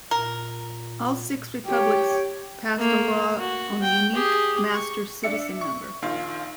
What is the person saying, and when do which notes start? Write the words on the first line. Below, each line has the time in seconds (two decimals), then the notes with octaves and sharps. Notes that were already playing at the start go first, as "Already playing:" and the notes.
All six republics passed a law on the Unique Master Citizen Number.
0.11 A#2 A#4
1.67 G4 C#5
2.78 A3 A#3
3.38 F#4
3.82 G5
4.14 G4 G#4
4.72 C#6
5.24 D4 E5 C#7
5.61 C#6
6.02 A#1 D#3 F4